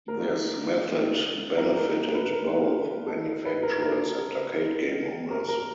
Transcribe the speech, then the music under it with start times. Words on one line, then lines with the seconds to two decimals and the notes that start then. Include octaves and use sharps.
This method benefitted both manufacturers and arcade game owners.
0.08 A#4
1.57 A#4
1.76 A#4
2.13 B4
2.33 A#4
3.07 A4
3.45 B4
3.63 A#4
3.82 A#4
4.55 A#4
5.31 A#4
5.48 A#4